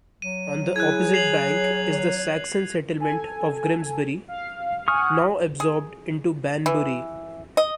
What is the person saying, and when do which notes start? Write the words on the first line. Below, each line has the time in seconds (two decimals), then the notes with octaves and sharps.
On the opposite bank is the Saxon settlement of Grimsbury, now absorbed into Banbury.
0.22 F#3 D#7
0.76 E4 G#4 F#6 G#6
1.14 C#5 C7 F7 F#7
2.96 A4 G#5
4.28 F5
4.88 F#5 G#5 C#6 D#6 F6
5.60 G#4
6.66 E3
7.57 D#5